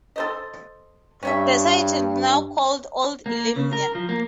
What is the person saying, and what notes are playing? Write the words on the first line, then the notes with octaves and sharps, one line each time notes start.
That site is now called Old Iliamna.
A4 C5 D#5
G2 C#4 C#5 E5
A#3
C#3
A#4
F3
A#3